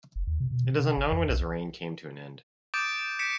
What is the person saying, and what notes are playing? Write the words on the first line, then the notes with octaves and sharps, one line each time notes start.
It is unknown when his reign came to an end.
F#1
D#2
C3
B2
C3
C3
G#1
F2
B1
D6 D#6 G6 A6 D7
G6 B6 C#7 D7 E7